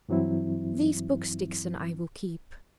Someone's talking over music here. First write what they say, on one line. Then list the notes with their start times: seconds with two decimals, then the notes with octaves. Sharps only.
'These books, Dixon, I will keep.
0.09 G2 E3 F#3 C4 E4